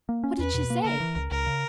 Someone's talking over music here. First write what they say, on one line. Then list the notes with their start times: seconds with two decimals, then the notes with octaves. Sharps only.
"What did she say?"
0.09 A#3
0.24 C#4
0.39 E2 B4
0.54 B2
0.70 A#3
0.85 C#3 A#4
1.00 E3
1.16 C#2
1.31 C#2 A#4
1.46 C#3